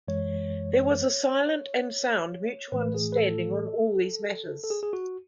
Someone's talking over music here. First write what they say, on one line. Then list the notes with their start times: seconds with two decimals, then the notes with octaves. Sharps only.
There was a silent and sound mutual understanding on all these matters'.
0.08 F#2 E3 G#3 C#5
0.74 C#5
2.72 A2 E3 A3 B4
2.94 G#4
3.12 B4
3.17 A4
4.64 A4
4.70 G#4
4.83 G#4
4.93 F#4